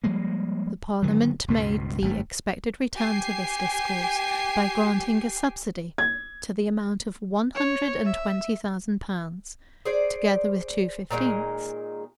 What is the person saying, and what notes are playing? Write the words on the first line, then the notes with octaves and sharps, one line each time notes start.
The parliament made the expected return to this discourse, by granting a subsidy to the amount of one hundred and twenty thousand pounds, together with two fifteenths.
F3 G3 G#3 A#3
G2 D3 D#3 F#3
C#2 G2 B2
G#1 G2 A3
G4 G#5 C7
G#6
C#5
E5
G#4 C5 D5
A#2 D#3 F3 G#3